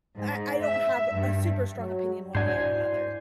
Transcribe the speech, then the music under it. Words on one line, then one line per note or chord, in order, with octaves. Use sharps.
I I don't have a super strong opinion one way or another.
G#2
E5
G2
F#3
G#2 D4 E4 F#4 C5 D5 F#5 G#5